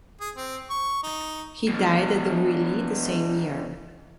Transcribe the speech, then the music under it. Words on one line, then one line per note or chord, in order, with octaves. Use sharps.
He died at Reuilly the same year.
G#4
C4
C#6
D#4
E2 B2